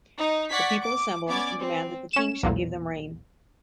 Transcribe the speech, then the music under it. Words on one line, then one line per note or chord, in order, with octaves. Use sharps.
The people assemble and demand that the king shall give them rain.
D#4
D5 F#5 C#6 G#6 B6
D6
B3 C#4 D5 D6 G#6
C4
C#4 E7
B1 E2 A#2